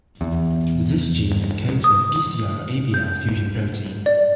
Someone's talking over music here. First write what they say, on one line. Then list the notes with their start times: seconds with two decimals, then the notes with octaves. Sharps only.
This gene encodes for a Bcr-abl fusion protein.
0.21 E2
1.84 D#6
2.94 G6
4.06 D5